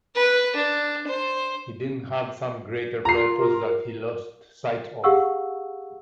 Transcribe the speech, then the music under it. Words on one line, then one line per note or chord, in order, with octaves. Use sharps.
He didn't have some greater purpose that he lost sight of.
B4
D4
C5
F4 A#5 C7
A#4
G4 G#4 F5 F#5 C#6 E6